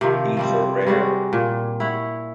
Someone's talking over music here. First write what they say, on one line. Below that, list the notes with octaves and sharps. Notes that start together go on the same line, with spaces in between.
These are rare.
C3 D#3 F3
F3 G3 C4
G3 G#3 C4 F#4
A#2
E4 C#5 F#5